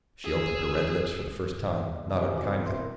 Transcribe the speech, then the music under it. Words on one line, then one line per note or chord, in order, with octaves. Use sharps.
She opened her red lips for the first time, not unkindly.
G#4 E6
C2 G#2
C#4 G4 A#4
G#1 C#3 C#4 F#4 D6
C4 D4 B4
B2 C4 E4 C6
A#4